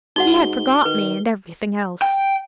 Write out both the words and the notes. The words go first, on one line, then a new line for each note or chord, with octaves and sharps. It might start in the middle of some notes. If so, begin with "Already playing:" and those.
He had forgot me and everything else.
G#2 D#4 F#4 F#5 G7
D#3 B4
G5